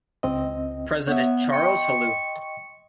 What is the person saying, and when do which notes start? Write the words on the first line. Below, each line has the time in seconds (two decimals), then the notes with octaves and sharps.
President Charles Helou.
0.23 C#2 C4 D#5
1.07 B3 C#5 E5
1.53 D#5 G5 C6 C#6